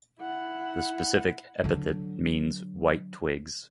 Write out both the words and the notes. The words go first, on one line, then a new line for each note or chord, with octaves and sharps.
The specific epithet means "white twigs".
E4 F#5
D3 F#3